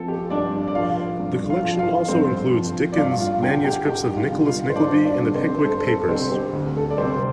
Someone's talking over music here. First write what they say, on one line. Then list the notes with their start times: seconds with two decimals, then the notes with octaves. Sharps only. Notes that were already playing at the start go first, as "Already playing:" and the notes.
The collection also includes Dickens' manuscripts of "Nicholas Nickleby" and the "Pickwick Papers".
Already playing: F3 C4 A4
0.08 G4
0.30 G2 D4 D5
0.68 D5
0.75 F3 F4 F5
1.20 G2
1.50 F4 F5
1.64 F3
1.79 F4 F5
2.08 G2 C4 C5
2.53 F3
2.93 D5
2.97 G2 F4 F5
3.20 F4 F5
3.42 D3 G3 G4 G5
3.64 G4 G5
3.86 G2 G4 G5
4.16 F4 F5
4.32 D3 G3
4.46 F4 F5
4.70 C5
4.76 G2 D4 D5
5.05 D4 D5
5.20 D3 G3
5.35 C4 C5
5.59 C5
5.65 G2 A4
5.87 A4
6.09 D3 G3 C4 C5
6.31 G4
6.53 D2
6.76 A4
6.90 D5
6.98 C3 G3 C4 C5